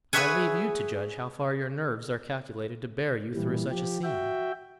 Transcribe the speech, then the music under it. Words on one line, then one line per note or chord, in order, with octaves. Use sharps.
I leave you to judge how far your nerves are calculated to bear you through such a scene.
G#4 B4 C#5 E5 F#5 G#5
A#2 E3 G3
F3 G4
F#4 E5 G5